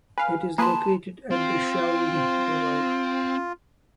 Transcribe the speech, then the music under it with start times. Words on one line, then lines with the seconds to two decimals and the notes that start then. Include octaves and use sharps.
It is located at the Scheldt river.
0.18 B4 F5 G#5
0.58 A#3 G#4 B4 A5 A#5 C6
1.31 C4 F4